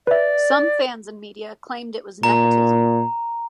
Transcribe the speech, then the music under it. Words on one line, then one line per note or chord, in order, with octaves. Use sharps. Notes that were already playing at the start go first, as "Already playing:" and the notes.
Some fans and media claimed it was nepotism.
B4 D5 E5
A#2 A#5